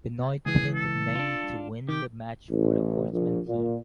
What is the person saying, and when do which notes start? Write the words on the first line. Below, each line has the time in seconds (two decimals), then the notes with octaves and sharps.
Benoit pinned Meng to win the match for the Horsemen team.
0.46 C#2 E3 G#4
0.75 A4
1.15 D4 F4
1.89 D#3 G4
2.50 A1
3.12 A#1
3.47 A#2